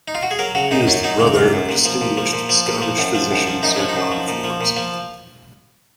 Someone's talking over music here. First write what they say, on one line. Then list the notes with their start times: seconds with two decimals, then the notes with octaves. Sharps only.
He is the brother of distinguished Scottish physician Sir John Forbes.
0.08 D#4
0.15 F4
0.23 F#4
0.31 G#4
0.39 F#3 A#4
0.55 C#3 F#4
0.71 F#2 D#4
0.87 F#2 C#4
1.04 F#3 D#4
1.20 C#3
1.36 F#2
1.53 F#2
1.69 A#2
1.85 F3
2.01 A#2
2.17 F3
2.33 A#2
2.49 F3
2.66 A#2
2.82 F3
2.98 F#2
3.15 F3
3.31 F#2
3.47 F3
3.63 F#2 D#4
3.76 F3 C#4
3.89 D#4
3.96 F#2
4.12 F3
4.28 A#2
4.44 F3
4.61 A#2
4.77 F3